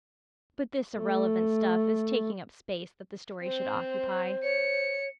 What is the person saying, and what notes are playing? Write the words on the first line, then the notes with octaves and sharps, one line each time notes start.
But this irrelevant stuff is taking up space that the story should occupy.
A3
C4 C5
C#5 C#7